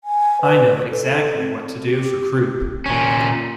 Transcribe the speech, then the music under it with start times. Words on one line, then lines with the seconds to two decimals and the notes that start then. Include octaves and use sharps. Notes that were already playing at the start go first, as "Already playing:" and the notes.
I know exactly what to do for croup.
0.04 G#5
0.41 B4
0.90 A4
1.37 C4
1.84 G4
2.86 A#2 C#4